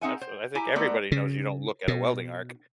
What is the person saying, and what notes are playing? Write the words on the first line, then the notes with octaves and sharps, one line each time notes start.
Absu I think everybody knows you don't look at a welding arc.
C4 D#4 G#4 E5 F#5 G#5
C5
E4 G4 G#5 A#5
A3 B3 F#4 A#4 C5 D5
C#3
B2